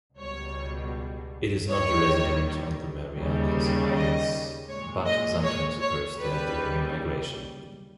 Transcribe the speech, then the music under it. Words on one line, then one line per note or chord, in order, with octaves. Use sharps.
It is not resident on the Marianas islands, but sometimes occurs there during migration.
C#2 B2 G3 C#5
D#2 D#3 G3 C#5
D#2 C#3 G3
D#5
A#2 G#3 C#5
D#5
C#5
C#5
D#2 C#3 G3 B4